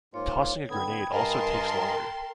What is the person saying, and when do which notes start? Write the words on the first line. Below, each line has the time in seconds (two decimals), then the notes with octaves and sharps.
Tossing a grenade also takes longer.
0.14 G#2 A#3 F4 C#5
0.69 D3 B3 G5 B5 D#6 G#6
1.12 G2 A#4 D#5 G#5 A5 C6
1.74 G5